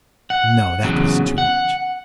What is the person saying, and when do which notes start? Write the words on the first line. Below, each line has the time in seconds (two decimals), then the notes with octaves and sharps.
No, that was too much!
0.30 F#5
0.84 E2 C#3 F#3
1.38 F#5